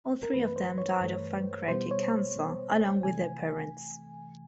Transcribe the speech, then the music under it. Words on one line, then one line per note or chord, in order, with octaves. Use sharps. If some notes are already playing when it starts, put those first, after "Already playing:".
All three of them died of pancreatic cancer, along with their parents.
A#4
G2 E3 A3 B4
B4
C5
C#5
G2 E3 A3
B2 G3 B3 C5
C#5
B2 G3 B3
C3 E3 A3 G#5